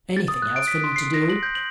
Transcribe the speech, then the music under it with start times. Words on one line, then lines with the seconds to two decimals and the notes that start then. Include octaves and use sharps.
"Anything else for me to do?"
0.17 A6
0.28 D#6
0.42 F#6
0.56 D7
0.68 B6
0.84 C6
0.96 C7
1.14 A#6
1.30 F#7
1.43 G6
1.55 F#7